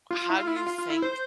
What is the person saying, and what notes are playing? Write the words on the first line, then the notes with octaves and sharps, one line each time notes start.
how do you think
F4
E4
F4
E4
F4
F4
F4
E4
C5